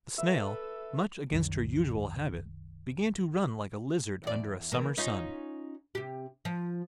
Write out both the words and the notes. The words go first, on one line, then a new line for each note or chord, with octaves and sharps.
The Snail, much against her usual habit, began to run like a lizard under a summer sun.
A4 B4 E5
C2 F#2 D#3
E2 D5
E3 A#3
C#4 D#4 F4
C3 G4
F3